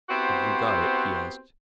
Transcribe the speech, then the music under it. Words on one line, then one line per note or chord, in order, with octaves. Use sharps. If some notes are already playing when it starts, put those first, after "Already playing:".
"Have you got it?" he asked.
B3 C4 E4 F#4 G4 C5